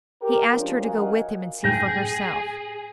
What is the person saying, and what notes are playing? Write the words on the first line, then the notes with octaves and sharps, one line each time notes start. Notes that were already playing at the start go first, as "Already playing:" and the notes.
He asked her to go with him and see for herself.
G4 A#4
F3 G#3 C#4 D4 F4
F#4 A#4 D#5 F5 F#5 G#5
F#2 A2 G#4 G5 A#6